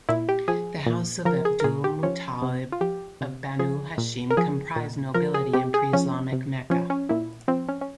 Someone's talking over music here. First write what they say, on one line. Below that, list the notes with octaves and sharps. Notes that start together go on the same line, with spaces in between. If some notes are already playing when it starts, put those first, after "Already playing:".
The House of Abdul-Muttalib of Banu Hashim comprised nobility in pre-Islamic Mecca.
A#2 E4
G4
F3 G#4
A#2
F3 A#4
G#4
A#4
A#2 G#4
G4
F3 C#4
C3
F4
F3 G4
C3
F3 G#4
A#2
A#4
F3 G#4
A#2
F3 A#4
G#4
C3 G4
G#4
F3 C#4
C3
F3 C#4
C#4
A#2 E4
F3 C4
C#4
C#4